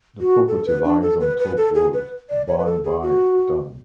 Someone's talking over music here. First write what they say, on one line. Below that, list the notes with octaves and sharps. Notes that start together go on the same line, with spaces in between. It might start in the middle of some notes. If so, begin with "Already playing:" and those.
The property lies on Top Road, Barnby Dun.
F#4
A4
B4
D4
A4
B4
B4
A4
G#4
B4
D5
C#5
B4
A4
G#4
F#4